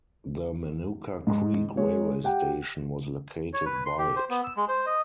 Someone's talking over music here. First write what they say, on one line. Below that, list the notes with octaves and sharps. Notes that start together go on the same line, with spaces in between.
The Manuka Creek Railway Station was located by it.
G#2
G#3 C#5
G4 F#5 G5
C#5
B4
C6
G4
C5
B3
E6
G#3
C5
D#5